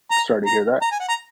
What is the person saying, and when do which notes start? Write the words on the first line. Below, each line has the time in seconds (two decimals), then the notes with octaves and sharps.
Sorry to hear that.
0.11 A#5
0.46 A#5
0.82 A#5
0.91 G#5
1.00 F#5
1.09 A#5